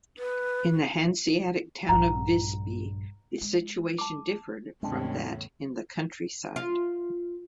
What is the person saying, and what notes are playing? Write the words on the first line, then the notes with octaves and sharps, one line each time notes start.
In the Hanseatic town of Visby the situation differed from that in the countryside.
B4
A#1 G2 F#5 A#5
G#3
A5 D6
E2 A2 C#3 G#3 C4 D4
F4